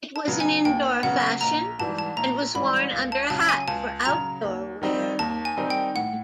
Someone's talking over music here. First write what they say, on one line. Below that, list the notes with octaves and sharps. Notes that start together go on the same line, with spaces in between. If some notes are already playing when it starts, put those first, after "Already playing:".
It was an indoor fashion, and was worn under a hat for outdoor wear.
A5
C#3 F#3 B3
G#5
D#2 G5
C#3 F#3 B3 F#5
A#1 A#5
G#2 E3 G3 A5
A5
A#1 A#5
G#2 E3 G3 B5
C#2
A5
C#3 F#3 A5
G#5
C#2 A5
C#3 F#3 A#5
D#2
D#3 G3 C4 D#4
D#2 A5
G#5
D#3 G3 C4 D#4
G5
A2 F#5